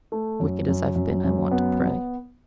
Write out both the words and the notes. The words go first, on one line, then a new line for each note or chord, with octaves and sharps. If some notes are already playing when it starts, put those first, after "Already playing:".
Wicked as I've been, I want to pray.
A3
F#2
F#2
F#2
F#2
B3
B3